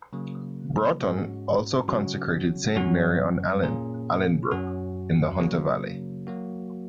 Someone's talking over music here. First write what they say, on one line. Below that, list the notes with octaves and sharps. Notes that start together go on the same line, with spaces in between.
Broughton also consecrated Saint Mary on Allyn, Allynbrooke, in the Hunter Valley.
C#3 F#3 A#3
G#2 G#3 C#4 F#4
C#3 F#3 C#4 F#4
F#2 F#3 C#4 F#4
A#2 A#3 C#4 G#4
F#2 F#3 C#4 F#4
C#3 F#3 A#3
F#3 A#3 F#4